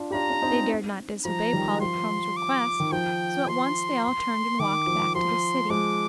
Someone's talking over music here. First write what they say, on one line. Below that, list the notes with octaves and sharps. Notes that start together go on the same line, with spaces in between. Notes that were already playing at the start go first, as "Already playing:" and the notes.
They dared not disobey Polychrome's request, so at once they all turned and walked back to the City.
Already playing: D4 F4
G4
D4 F4 A#5
D4
C4 D#4
F3 A#5
D#3 G3
F3 C6
D6
D#3
F3 G5
C6
C6
D#3 D6
F3
F3 C6
F3 G#3 D6